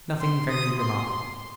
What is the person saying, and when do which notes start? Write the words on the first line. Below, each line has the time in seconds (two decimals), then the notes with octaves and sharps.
Nothing very remarkable.
0.21 C6
0.50 D#6
0.79 C6